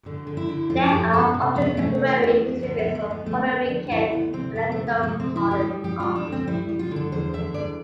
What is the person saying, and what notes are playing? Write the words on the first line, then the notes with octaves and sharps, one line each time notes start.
There are often temporary exhibits on Puerto Rican and Latino modern art.
D3
D3
E4
D3
F2 F4
F2 G4
F2 A4
C3
E2 B3
C3 A3
E3
E2
E2
D2 B3
B3
D2
A3
D2 B3
D2 A3
D2
G3 D4
D2 E4
D2 B3
C3 C4
D2 B3
A3
D2
B3
C3
A3
D2 C4
D2 E4
G4
G3
G3 G4
G3 F4
D4
D2
C4
G3 E4
G3
F4
D3
A4
E2 C5
D3 E5
E2 D5